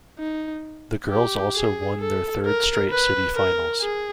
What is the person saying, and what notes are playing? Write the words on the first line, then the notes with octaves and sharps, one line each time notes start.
The girls also won their third straight city finals.
D#4
G4
G#4
A4
A#4
B4
A#4
G#4